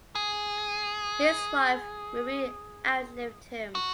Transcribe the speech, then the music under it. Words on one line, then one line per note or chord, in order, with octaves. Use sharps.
His wife Marie outlived him.
G#4
F#4